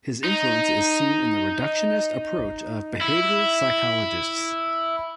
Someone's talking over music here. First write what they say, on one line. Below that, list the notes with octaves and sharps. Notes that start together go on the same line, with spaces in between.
His influence is seen in the reductionist approach of behavioral psychologists.
D#4
E4